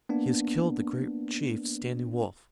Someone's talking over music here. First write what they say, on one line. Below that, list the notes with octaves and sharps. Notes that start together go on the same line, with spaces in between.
He has killed the great chief Standing Wolf.
A#3 B3 D4